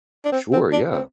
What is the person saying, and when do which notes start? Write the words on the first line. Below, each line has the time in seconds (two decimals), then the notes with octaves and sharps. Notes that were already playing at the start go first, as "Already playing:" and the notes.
Sure, yeah.
0.25 D4
0.32 C4
0.53 C4
0.73 D4
0.93 C4